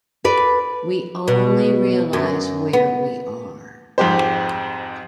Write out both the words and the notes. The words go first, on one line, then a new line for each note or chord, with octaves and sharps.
We only realise where we are.
A4 B4 D5
B2
F#2
B3
F2 G#2 G4 C5